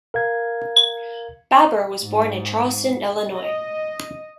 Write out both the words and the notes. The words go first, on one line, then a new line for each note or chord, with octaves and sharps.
Baber was born in Charleston, Illinois.
A#4 F5 G#6
G#2
D#5